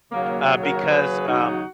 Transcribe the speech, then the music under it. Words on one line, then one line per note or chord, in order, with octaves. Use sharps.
uh, because, um
D#2 C#3 F#3 A#3
F#4 A#4
D#2 C#3 F#3 G#4 B4
D#4 F#4